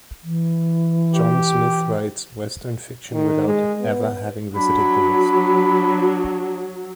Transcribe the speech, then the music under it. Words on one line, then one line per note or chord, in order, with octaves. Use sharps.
John Smith writes Western fiction without ever having visited the West.
E3
G4
D#3
G#3
B3
F#3 D4 B5